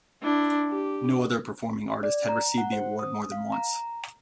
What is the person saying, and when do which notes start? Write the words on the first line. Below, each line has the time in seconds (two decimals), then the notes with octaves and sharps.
No other performing artists had received the award more than once.
0.23 D4 E4
0.71 G4
2.03 D5
2.29 A#5
2.58 F#5
2.72 C5
2.99 D#6
3.32 F5
3.52 A#5